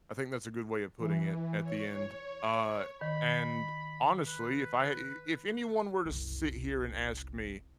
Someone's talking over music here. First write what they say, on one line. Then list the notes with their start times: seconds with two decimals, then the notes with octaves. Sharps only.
I think that's a good way of putting it at the end, uh, and honestly, if I i if anyone were to sit here and ask me,
0.98 E3
1.63 C#5
3.01 D#3 B5
4.27 B4
6.05 F#1 C2